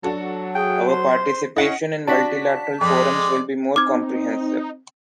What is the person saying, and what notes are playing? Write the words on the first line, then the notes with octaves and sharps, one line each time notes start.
Our participation in multilateral forums will be more comprehensive.
F#3 D4 F#4 A4
G#4 G5
C5 C6
C#4 E4 D#5 F#5
D4 F#4 D5 A5 B6
F2 G#3 D5
C4 D#4 D6 F6 G#6